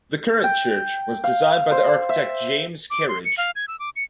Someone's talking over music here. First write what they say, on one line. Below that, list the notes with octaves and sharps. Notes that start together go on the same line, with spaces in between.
The current church was designed by the architect James Kerridge.
G5
F5
C5
E5
D6
C6
C#7
F5
G#6
E6
D6
C#7